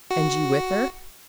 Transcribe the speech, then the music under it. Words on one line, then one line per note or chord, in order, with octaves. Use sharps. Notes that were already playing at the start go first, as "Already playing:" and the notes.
"And you with her?"
F#4